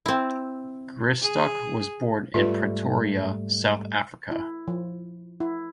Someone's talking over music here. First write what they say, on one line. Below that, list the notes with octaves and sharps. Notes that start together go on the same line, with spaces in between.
Gristock was born in Pretoria, South Africa.
C4 E4
G#4
G#2 G3 A3 F4 B4
E4
F3
E4